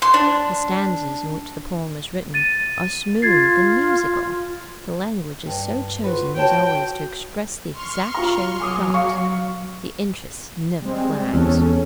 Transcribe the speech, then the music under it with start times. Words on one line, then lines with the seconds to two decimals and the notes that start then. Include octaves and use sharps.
The stanzas in which the poem is written are smooth and musical, the language is so chosen as always to express the exact shade of thought, the interest never flags.
0.02 C6
0.14 D4
2.34 A6 D#7
3.22 F4 G#6 A6 C7
5.46 G2
6.04 F4 F#4 B4
6.37 F#4 C#5 G5 A5
7.72 C6 C#6 F6
8.14 F4 A#5
8.60 F#3 G#5 D6 D#6
8.94 F5 C#6
10.82 G3 G#3 C4
11.34 E2 C#4 A4